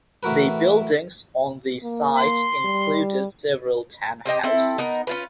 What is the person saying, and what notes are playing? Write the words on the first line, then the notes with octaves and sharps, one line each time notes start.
The buildings on the site included several townhouses.
A2 E3 F#4 A#4 B4
A#3
C6
G3
C4 G4 D#5 G5
C4 E4 A4
B3 D#4 A#4
C#4 F4 B4